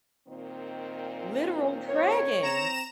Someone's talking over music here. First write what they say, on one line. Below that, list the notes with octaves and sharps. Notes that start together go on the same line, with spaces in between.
literal dragons!
A#2 D#3 C4
C#5
C4 A#5 E7